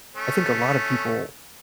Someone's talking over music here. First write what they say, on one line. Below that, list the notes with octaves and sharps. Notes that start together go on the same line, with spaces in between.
I think a lotta people,
A3 C#4